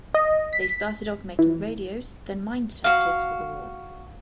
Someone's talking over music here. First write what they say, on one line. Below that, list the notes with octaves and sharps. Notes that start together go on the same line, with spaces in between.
They started off making radios, then mine detectors for the war.
D#5
B6
E3
F#4 F5